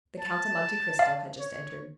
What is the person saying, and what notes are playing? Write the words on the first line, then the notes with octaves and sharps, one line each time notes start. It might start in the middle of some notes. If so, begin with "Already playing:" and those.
The Count of Monte Cristo had just entered.
A5
F5
C#5